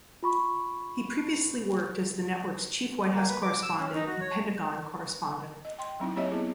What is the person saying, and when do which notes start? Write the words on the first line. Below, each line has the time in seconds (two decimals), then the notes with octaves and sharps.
He previously worked as the network's Chief White House Correspondent and Pentagon correspondent.
0.23 F4 B5 C#6
3.14 A#3
3.29 B4
3.43 D6
3.63 E6
3.79 C#4
3.94 D#4
4.06 F#4
4.21 C#5
5.65 D#5
5.78 G5 C6
6.00 F#3 C4 D#4 E4
6.16 A#3 C4 G4 C#5 D#5 E5
6.31 B3 E4 G#4